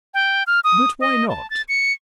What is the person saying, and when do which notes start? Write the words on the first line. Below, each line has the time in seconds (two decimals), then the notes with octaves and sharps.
"But why not?"
0.14 G5
0.47 F6
0.64 D#6
1.00 D#5
1.29 A5
1.50 A6
1.69 C#7